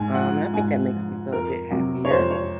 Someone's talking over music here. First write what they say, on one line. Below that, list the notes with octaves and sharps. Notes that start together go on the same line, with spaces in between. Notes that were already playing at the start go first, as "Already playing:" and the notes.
um, and I think that makes me feel a bit happier,
Already playing: G#2 G#5
F3 F#5
G#2 G#5
F3
F2 A#4
C3 F#3
C#5
F2 C5
C#5